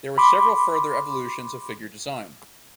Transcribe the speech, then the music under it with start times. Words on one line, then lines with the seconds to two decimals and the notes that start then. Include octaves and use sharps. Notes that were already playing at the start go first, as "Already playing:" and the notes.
There were several further evolutions of figure design.
0.18 B5 C6 D6